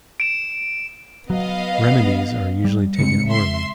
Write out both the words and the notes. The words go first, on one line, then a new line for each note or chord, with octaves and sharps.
Remedies are usually taken orally.
D7 E7
F#3 B3 D#5 F5
G3
C#3 G#3 C4 C#7
E5 C6